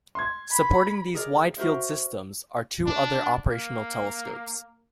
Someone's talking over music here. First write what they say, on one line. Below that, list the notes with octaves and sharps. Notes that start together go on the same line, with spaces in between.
Supporting these wide field systems are two other operational telescopes.
C6 G#6
B5
G#4 A#4 D5
F#4 A#4 C5 E5
D4
A#3